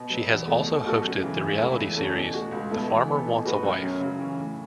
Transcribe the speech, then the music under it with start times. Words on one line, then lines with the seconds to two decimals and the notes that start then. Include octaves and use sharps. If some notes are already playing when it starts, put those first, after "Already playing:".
She has also hosted the reality series "The Farmer Wants a Wife".
Already playing: B2
0.10 F#3 B3
0.29 E2
0.47 B2 A3
0.66 B2
0.84 A3 F#4 A4
1.03 F#2
1.21 C#3 E3
1.40 C#2
1.59 C#3 A3 E4
1.77 E2
1.96 E3 C#4 A4
2.15 B2
2.33 A3 F#4
2.51 C#2
2.70 B2 B3 E4 A4
2.89 E3
3.08 B3 A4
3.26 B2
3.44 A3 F#4 B4
3.63 F#2
3.82 F#3 C#4
4.00 C#3
4.19 E3 C#4
4.37 A2